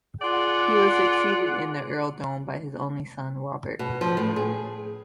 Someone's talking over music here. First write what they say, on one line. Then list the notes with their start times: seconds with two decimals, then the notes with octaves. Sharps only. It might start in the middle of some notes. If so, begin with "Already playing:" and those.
He was succeeded in the earldom by his only son Robert.
0.22 F4 G#4 D5 F#5
3.79 B2
4.01 F3
4.17 A2
4.36 G#4